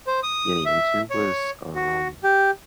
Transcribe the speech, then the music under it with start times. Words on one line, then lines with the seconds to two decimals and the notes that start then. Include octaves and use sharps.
getting into was, um,
0.07 C5
0.23 D#6
0.66 E5
1.10 C#5
1.75 F#4
2.23 G4